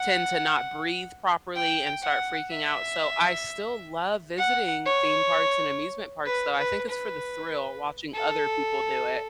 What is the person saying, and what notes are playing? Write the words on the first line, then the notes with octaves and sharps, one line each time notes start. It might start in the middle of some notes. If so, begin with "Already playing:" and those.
tend to not breathe properly and start freaking out, so, I still love visiting theme parks and amusement parks, though, I think it's for the thrill, watching other people do it.
Already playing: F#5
G5
F#5
E5
F#5
C#5
B4
B4
B4
A4